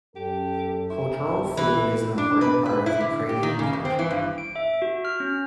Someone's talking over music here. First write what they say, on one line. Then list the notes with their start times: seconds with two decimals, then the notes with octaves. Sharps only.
Cultural food is an important part of Ukrainian culture.
0.16 F#2 G4 A4
0.90 E4
1.26 B1 G2
1.57 E3 E5
2.18 D4
2.41 B4
2.65 B4
2.86 E4
3.00 D3
3.29 G4
3.43 D#3
3.59 C#3
3.73 E2
3.85 C4
3.99 E3
4.11 G2
4.38 D7
4.56 E5
4.82 F#4
5.05 F6
5.20 C#4